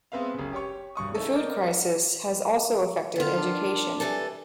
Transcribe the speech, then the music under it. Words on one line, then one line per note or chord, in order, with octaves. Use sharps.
The food crisis has also affected education.
G#3 B3 C4 B4 E5 F5
F#1 C#3
G4 C#5 C#6
E1 G2 C#6 D#6
C#3 D#4 E4 A4
A#4 D5 D#5 G6
D3 D#3 F4
D4
E3 G3 A4